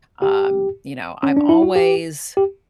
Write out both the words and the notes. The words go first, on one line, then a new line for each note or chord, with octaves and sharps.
um, you know, I'm always
G4
C#4
D4
E4
F#4
G4
G4